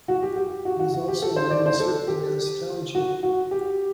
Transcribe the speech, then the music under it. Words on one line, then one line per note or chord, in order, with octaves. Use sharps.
It is also known simply as "Township".
F#4
G4
G4
F#4
F#4
F#4
G4
A4
C5
D5
C5
A4
G4
F#4
F#4
G4